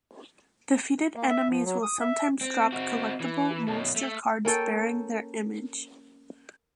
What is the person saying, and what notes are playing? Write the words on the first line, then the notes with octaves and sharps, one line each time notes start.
Defeated enemies will sometimes drop collectible Monster Cards bearing their image.
A#3
E5
F3
F#3
D#6
E5
C4
C4 F#4
E3
F#2 B2
A3
A#3 C#4 A4 G5